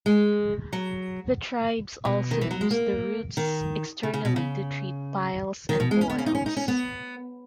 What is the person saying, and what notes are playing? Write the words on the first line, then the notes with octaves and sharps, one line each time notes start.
The tribes also used the roots externally to treat piles and boils.
G#3
F#3
B2
D#3
E3
F#3
G#3
A#3
D#3
C#3
C#3
B2
C#3
D#3
B2
G#3
C#4
B3
C#4
D#4
C#4
D#4
C#4
B3